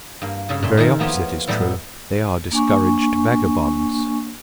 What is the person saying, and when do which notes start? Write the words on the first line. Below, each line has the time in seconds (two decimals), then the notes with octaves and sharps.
The very opposite is true; they are discouraged vagabonds.
0.22 G2 A#3
0.49 G2 C#3 A4 C#5
0.63 A#2 E5 C6
0.77 D#3 A3 E4 G#4 A#4
0.99 F3 A#3 B3 F4 C#5 E5
1.47 A2 F#3 G3 B3 E4
2.52 A#3 D4 G#5 C#6